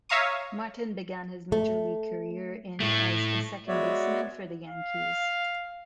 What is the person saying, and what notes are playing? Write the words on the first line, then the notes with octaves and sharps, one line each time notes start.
Martin began his major league career in as a second baseman for the Yankees.
C#5 E5 F5 A#5 C#6 D#6
A3
A2 A3
G#3 B3 F#4 C#5 D5 E5
F5